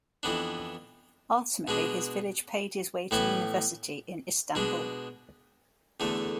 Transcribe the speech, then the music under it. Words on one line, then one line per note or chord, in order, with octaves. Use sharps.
Ultimately, his village paid his way to university in Istanbul.
F2 E3 B3 D4
B2 G#3 D4
A2 E3 B3 E4
B2 G#3 D4
E2 D3 A3